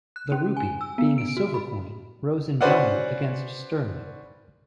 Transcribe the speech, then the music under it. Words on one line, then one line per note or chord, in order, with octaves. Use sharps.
The rupee, being a silver coin, rose in value against sterling.
F#6
C#4
G#5
E6
B3
D7
F#4
B5
C#4 F#4 B4 C5 D5 F#5